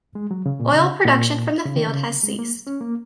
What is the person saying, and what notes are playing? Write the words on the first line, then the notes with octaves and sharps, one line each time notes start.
Oil production from the field has ceased.
G#3
F#3
C#3
A#2
C#3
A#2
C#3
D#3
C#3
G#3
A#3
C#4
A#3